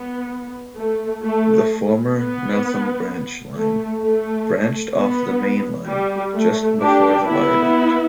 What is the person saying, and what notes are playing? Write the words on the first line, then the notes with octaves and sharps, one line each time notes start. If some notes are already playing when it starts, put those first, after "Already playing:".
The former Meltham branch line branched off the main line just before the viaduct.
Already playing: B3
A3
A3
B3
A3
A3
B3
G3
A3
D4 G4
B3 E4